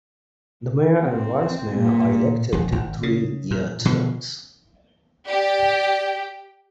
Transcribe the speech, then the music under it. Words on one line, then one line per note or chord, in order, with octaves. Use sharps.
The mayor and vice mayor are elected to three-year terms.
C4
A#2
D#1 F2
G#1
C#3
A#2
B2 D3 F3
G4 D5 G5